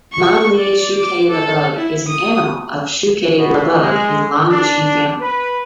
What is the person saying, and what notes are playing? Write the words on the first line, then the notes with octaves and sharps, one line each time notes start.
Man Li Chu Ke La Bug is an animal of Chu Ke La Bug in Liang Ji family.
C#6
D5
D6
A4
E4
D#6
B2
G#3
D4
B4